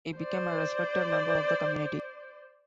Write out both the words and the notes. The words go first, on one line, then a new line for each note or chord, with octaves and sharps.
He became a respected member of the community.
C5 D5